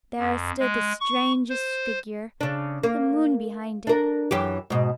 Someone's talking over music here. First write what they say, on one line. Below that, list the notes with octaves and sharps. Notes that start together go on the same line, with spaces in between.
There stood the strangest figure, with the moon behind it.
F2
G#3
C#6
C5
C#3 D4
A#3
D4 A#4
F#2 E3 G4
G#2 B2